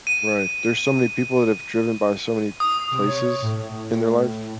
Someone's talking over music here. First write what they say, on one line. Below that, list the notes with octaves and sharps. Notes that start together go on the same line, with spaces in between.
Right, there's so many people that have driven by so many places in their life,
D#7
D#6
C3
C#5
A2